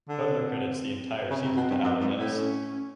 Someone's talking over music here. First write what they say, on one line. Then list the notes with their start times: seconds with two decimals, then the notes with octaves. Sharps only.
Butler credits the entire season to Allerdice.
0.08 D3
0.27 C4
1.30 C#3 C4
1.44 C3
1.56 B2
1.70 G2
1.83 F#2
2.01 G#2
2.18 A2
2.35 C#4